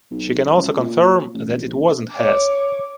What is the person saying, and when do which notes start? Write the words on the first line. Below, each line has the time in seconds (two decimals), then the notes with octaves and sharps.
She can also confirm that it wasn't Hess.
0.11 B1
0.56 C#2
0.77 A#2
1.35 A1
1.56 A#1
2.12 C#5 D6